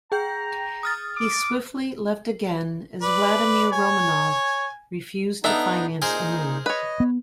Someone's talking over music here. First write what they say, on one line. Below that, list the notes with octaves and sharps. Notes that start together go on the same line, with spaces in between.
He swiftly left again as Vladimir Romanov refused to finance a move.
G#4 G5 A#5 G6
D#6 F6 A6
D6
B4 D5
C#5 G#5
B3 D4 D#4 A4 E5 A#5
A#2 D#4 G#4 A#4 C5
B4 C#5 D#5
B3